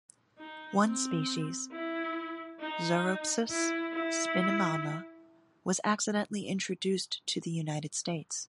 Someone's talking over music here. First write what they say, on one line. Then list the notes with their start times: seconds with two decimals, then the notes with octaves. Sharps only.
One species, "Zoropsis spinimana", was accidentally introduced to the United States.
0.38 D#4
0.83 C4
1.72 E4
2.60 D#4
3.50 E4
3.93 E4